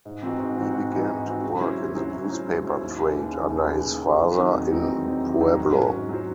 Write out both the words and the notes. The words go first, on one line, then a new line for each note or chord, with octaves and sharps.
He began to work in the newspaper trade under his father in Pueblo.
G#2
E3 C4 D#4 F#4
G#2
E3 C4 D#4 F#4
G#2
E3 C4 D#4 F#4
G#2
E3 C4 D#4 F#4
C#3
F#3 C#4 E4 C5
C#3
F#3 C#4 E4 C5
C#3
F#3 C#4 E4 C5
C#3
F#3 C#4 E4 C5
D#2
C#3 E3
D#2
C#3 E3
D#2
C#3 E3
D#2
C#3 E3
E2
D#3 F#3 C4 D#4
E2
D#3 F#3 C4 D#4
E2
D#3 F#3 C4 D#4
E2
D#3 F#3 C4 D#4
G#2
F#3 C#4 F#4 C5
G#2
F#3 C#4 F#4 C5